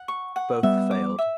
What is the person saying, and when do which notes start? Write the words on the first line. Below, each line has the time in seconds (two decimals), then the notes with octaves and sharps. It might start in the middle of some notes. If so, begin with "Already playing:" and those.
Both failed.
Already playing: F#5
0.08 C#6
0.36 F#5
0.63 G3 B3 E5
0.91 D6
1.19 E5